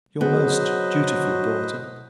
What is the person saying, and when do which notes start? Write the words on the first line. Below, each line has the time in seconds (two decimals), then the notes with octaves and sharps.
Your most dutiful DAUGHTER.
0.21 F#3 B3 G#4 B4 C5 D#5